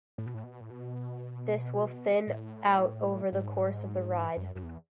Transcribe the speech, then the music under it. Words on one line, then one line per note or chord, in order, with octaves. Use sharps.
This will thin out over the course of the ride.
A2
B2
A2
B2
A2
B2
A2
G#2
F#2
F#2
E2